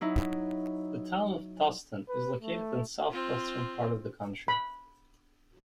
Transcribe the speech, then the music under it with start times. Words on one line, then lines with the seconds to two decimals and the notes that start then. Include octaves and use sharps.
The Town of Tusten is located in southwestern part of the county.
0.01 F#3 D#4 E4
2.09 B4
2.42 A3
3.10 C4 F4
4.48 B5